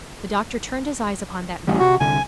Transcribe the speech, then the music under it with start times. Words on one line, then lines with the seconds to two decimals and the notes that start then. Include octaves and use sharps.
The Doctor turned his eyes upon that man.
1.67 A1 D2 G3
1.80 C3 F#4
2.00 C2 D3 G#5